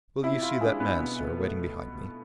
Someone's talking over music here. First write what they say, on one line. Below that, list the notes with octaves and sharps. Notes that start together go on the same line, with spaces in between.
"Will you see that man, sir, waiting behind me?"
C3 E4
F4
G#3 D4 G#4
B3 B4
B2
A3